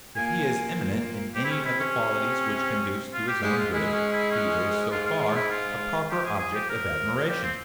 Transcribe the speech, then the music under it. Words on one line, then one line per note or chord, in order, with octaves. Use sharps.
If he is eminent in any of the qualities which conduce to his own good, he is, so far, a proper object of admiration.
A#2 A#3 G#5
C3 C4 G4
E4
C#4
E4
C#4
F4
G4
G#2 G#3 G4
F4
G#2 G#3 E4
C#4
E4
C#4
G#2 G#3 F4
F4
F4
E4
F4
F3 G4
G#4
F3 G#4
G4
A#4
G4
C4